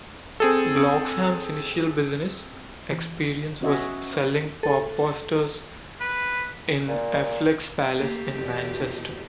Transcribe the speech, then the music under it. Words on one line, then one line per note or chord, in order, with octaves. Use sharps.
Bloxham's initial business experience was selling pop posters in Affleck's Palace in Manchester.
C4 G#4 A4
E3
B3 C#4 F#4 C#5 D#5 E5
A4
B4
A#2
A3 A#3 G4
E2 B2